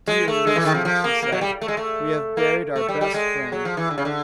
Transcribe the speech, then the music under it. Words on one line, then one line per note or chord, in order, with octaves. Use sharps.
"Dear Lucy," he said, "we have buried our best friend."
G#3
A3
G#3
E3
D#3
F3
F3
A#3
A#3
F#3
G3
A3
G#3
A3
A#3
A3
G3
G3
G#3
F#3
F3
E3
D3
C#3
D3